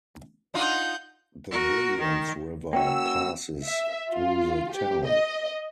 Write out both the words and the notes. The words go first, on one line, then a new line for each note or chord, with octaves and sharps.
The Williams River passes through the town.
D4 D#4 F4 F#5 G6
F#4 A#4
D#3
A#3 C#4 F#4 G5 E6
E5
F4
G4
D#5